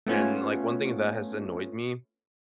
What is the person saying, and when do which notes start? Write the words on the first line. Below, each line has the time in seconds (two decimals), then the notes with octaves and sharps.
And, like, one thing that has annoyed me
0.06 A3 B3 C#4 F4